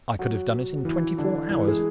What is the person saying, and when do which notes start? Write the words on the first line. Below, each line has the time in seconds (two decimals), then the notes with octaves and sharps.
I could have done it in twenty-four hours.
0.19 F#3 F#4
0.85 E3 E4
1.18 D3 D4
1.50 E3 E4
1.68 G#3 G#4